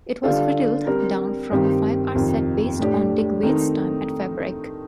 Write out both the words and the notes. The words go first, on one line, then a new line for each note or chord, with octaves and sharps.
It was whittled down from a five-hour set based on Digweed's time at Fabric.
D3 G3 D4 F4 A4
G3 C4 G4 A#4
G2 D#3 G3 C4 G4
F2 C3 D#3
A2 A3 D4 G4
D#3 A3 C4 D#4